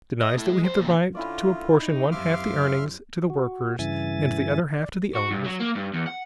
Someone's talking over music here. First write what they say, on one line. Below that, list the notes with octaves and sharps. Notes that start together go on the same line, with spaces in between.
Denies that we have the right to apportion one-half the earnings to the workers and the other half to the owners.
D#5
A3 E4
G#3
E2 C5
A#2 C#3
D3 C#4 E4 F4 D5
D#4
F#2 C3 E5 F5 C6 D6 F6
F#4
G2 C#3 E3 E5 G#5 A6
D5
F#4
G2
F#3
A#3
G2
E2
F#5